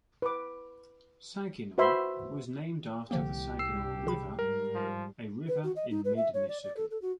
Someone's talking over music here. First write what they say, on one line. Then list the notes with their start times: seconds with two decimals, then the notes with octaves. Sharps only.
Saginaw was named after the Saginaw River, a river in mid-Michigan.
0.22 B4 D6
1.78 F#4 B4 C5 E5 B5 C6
3.11 C2 A#2 D3 F3 A#3 G4
3.59 E6 C7
4.07 G#4 B5
4.39 G#2 G3 A#4
4.75 F3
5.48 B4
5.63 F#4
5.76 D#5
5.91 D#4
6.05 B4
6.16 E5
6.34 C#5
6.49 D5
6.63 D5
6.77 A4
6.91 A4
7.02 F#4